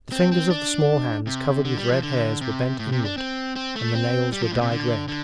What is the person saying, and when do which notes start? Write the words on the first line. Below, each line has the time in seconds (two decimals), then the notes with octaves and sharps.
The fingers of the small hands covered with red hairs were bent inward, and the nails were dyed red.
0.12 C4
0.32 C4
0.50 D4
1.27 C3
1.65 D3
1.78 G3
1.91 F3
2.03 D3
2.41 C3
2.79 A2
2.92 C3
3.05 D4
3.18 C4
3.56 C4
3.76 A3
3.94 C4
4.32 G3
4.42 F3
4.52 A2
4.61 C3
4.70 D3
5.08 D3